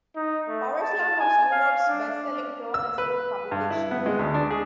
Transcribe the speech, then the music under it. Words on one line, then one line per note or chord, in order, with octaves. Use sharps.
"Power Slam" was Europe's best-selling pro wrestling publication.
D#4
A3
A5
G#5
F5
D4
E6
B4
G2
E4
B3
G#3
D2
D4
G#4